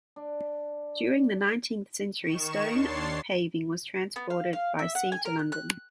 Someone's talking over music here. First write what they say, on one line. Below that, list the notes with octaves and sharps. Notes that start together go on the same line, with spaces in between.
During the nineteenth century stone paving was transported by sea to London.
D4
D#3 C#6 E7
D#2 D4 C#5 C6 A6 C7
B3
F5
F5
E5
F#5
G#5
A#4
F#6
F#6